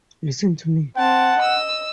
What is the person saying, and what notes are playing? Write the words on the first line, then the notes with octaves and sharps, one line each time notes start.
Listen to me!
C4 F#5 A5
D#5 E6